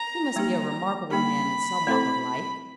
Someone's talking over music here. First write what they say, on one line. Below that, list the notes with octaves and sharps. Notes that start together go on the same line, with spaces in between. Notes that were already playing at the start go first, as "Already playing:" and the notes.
He must be a remarkable man in some walk of life.
Already playing: A#5
G3 A#3 D#4 G4
G3 A#3 D#4 G4 B5
A3 C4 E4 A4 C5